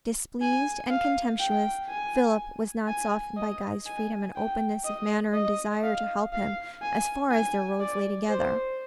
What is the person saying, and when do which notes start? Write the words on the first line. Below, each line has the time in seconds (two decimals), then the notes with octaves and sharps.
Displeased and contemptuous, Philip was not softened by Guy's freedom and openness of manner and desire to help him as far as their roads lay together.
0.42 G#5
0.90 F5
1.40 G5
1.89 G#5
2.88 G#5
3.37 D#5
3.86 G#5
4.36 G5
4.85 D#5
5.34 D#5
5.83 F5
6.33 F5
6.82 G#5
7.31 G#5
7.81 D5
8.29 C5